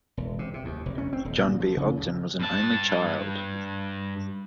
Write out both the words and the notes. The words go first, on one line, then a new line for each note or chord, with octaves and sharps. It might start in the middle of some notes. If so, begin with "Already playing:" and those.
John B. Ogden was an only child.
E1
C3
C3
D#2
F1
C#4
C4
D#1
A#2
F3
C#3
D2
G2 A5